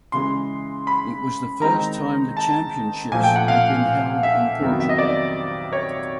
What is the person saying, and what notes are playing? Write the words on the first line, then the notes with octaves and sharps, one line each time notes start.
It was the first time the Championships had been held in Portugal.
C#3 E3 G#3 C6
B5
D#3 G#3 C4 D#4 A#5
A5
A#2 F3 A3 G#5
G5
F#5
F5
E5
F2 C3 D#3 F#3 B3
E5
D#5
D5
C#5